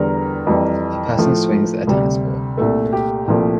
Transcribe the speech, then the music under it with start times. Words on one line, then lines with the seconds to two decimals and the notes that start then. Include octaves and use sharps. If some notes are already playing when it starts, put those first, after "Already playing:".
A person swings at a tennis ball.
Already playing: E2 D3 G3 A#4
0.47 F2 E3 G3
1.17 A2 F3 A3
1.87 D2 C3 G3
2.57 C2 A#2 A3 A4
2.93 G4
3.28 C2 A#2 F3 A3